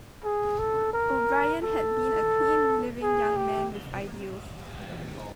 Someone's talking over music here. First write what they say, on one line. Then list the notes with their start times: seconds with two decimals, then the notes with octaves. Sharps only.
O'Brien had been a clean living young man with ideals.
0.24 G#4
0.58 A4
0.93 A#4
1.63 A4
3.02 G#4
3.36 G4